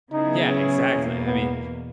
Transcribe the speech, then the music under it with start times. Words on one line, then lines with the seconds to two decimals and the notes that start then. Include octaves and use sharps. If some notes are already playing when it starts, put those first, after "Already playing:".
Yeah, exactly, I mean,
0.11 C#3 F#3 B3 D#4 E4 G#4
0.49 C#4
0.88 E2 B2 A#3
1.26 B3